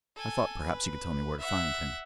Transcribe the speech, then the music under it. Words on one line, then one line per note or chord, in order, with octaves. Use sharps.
I thought, perhaps, you could tell me where to find him.
A4 G#5
B4
E5 F#5